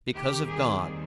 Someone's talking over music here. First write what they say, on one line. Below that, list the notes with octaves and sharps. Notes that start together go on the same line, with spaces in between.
Because of God.
D#2 D#3 G3 C4 G4
G#4